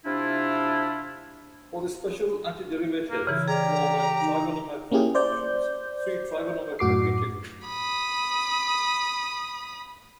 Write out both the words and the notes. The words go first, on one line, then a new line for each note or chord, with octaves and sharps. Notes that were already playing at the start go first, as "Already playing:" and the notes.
For the special antiderivatives involving trigonometric functions, see Trigonometric integral.
C3 D4 E4 F4
A#3
C#3 E3 E4
G4 G#4 D5 A#5
D#4
A#3 C#4 E4 G4 G#4
C5 D5 G6
F#2 A2 F#4 D6 C7
B5 D#6